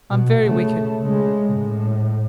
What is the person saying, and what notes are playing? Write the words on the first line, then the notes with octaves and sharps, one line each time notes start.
'I'm very wicked.
B2
C#3 A3
C#3 G#3
A2